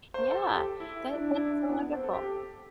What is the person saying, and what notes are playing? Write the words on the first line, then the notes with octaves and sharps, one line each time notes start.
Yeah, that that's so wonderful.
C5
A4
G4
E4
D4
E4
D4
B3
C4
A4
G4